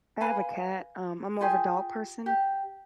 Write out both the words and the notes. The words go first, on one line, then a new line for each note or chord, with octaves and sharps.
I have a cat, um, I’m more of a dog person,
B4 F5 G#5 B5
F4 G4 G#4 G#5
G4